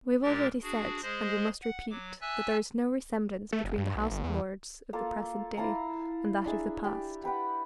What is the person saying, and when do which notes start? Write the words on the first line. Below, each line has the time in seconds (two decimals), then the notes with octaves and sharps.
We have already said, and we must repeat, that there is no resemblance between the House of Lords of the present day and that of the past.
0.23 A#2 G#3 G4 A#4 A6
0.62 D4 F#4 G#4
1.02 G#3 G#4 C5 D#5
1.62 F#5
1.90 F#3 D6
2.21 E5 G#5 A5 E6 F#6
3.52 A3
3.64 F#1
3.78 G2
3.95 B1
4.11 G1
4.24 E2
4.93 A#3 F4 A4
5.57 E4 F5 A5 A#5
6.46 D4 G#4 E5
6.84 G4 D5
7.24 G4 B4 F#5 G5